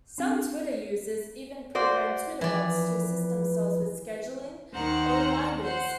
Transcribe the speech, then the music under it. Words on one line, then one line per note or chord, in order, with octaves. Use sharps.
Some Twitter users even program Twitterbots to assist themselves with scheduling or reminders.
C4 D4
F#4 C5 D5
E3 F3 B4 D5
D#2 D#3 C5 F#5 A#5
C5 F#5 C6